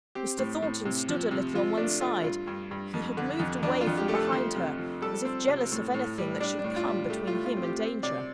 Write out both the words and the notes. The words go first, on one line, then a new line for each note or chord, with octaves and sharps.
Mr. Thornton stood a little on one side; he had moved away from behind her, as if jealous of anything that should come between him and danger.
C4 G4
A2
A2
C3
F3
C3
F3 F4
A3 D4
A3 F4
G2 F4
G2
G2
F2
D3
F2
F2 D4
F4
F2
G4
A3 G4
A4
F3 C5
C3
F3
G3 A4
C4
C3
A2
A2
G3
G3 D4
D4
A2
F4
G3
A3 G4
F4
A2
F4
C4
G4
C4
C3 D5